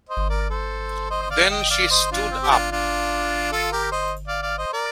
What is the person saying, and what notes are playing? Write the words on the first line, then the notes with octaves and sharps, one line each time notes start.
Then she stood up.
C5 D#5
A#4 D5
A4 C5
C5 D#5
D#5
D5 F5
D#5 G5
D5 F5
C5 D#5
D4 F4
C4
G4
D4 F4
D4 F4
F4 A4
G4 A#4
C5 D#5
D5 F5
D5 F5
C5 D#5
A#4 D5